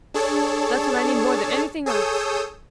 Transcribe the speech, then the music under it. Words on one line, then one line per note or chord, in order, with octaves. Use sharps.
That's what I need more than anything else.
D4 G#4 A4 C#5 A5
G#4 A4 C#5 D#6 E6 G6